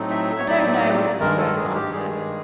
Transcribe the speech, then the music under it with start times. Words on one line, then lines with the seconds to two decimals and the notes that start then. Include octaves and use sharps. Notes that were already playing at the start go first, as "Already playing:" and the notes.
"I don't know," was the perverse answer.
Already playing: A2 F#3 A3 C4 D#4
0.10 E5
0.38 C#5
0.47 A2 F#3 A3 C4 D#4 D5
1.20 G2 D#3 G#3 A#4
1.37 A4
1.57 G#4
1.74 G4
1.92 G2 D#3 G#3 G#4